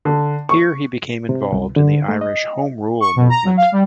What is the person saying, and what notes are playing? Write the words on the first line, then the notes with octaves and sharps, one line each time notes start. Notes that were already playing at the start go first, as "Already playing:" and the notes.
Here he became involved in the Irish Home Rule Movement.
D3
C#6
C3
C2
D3
A3
D#5
C#6
B2
A#5
F#3
F5
G3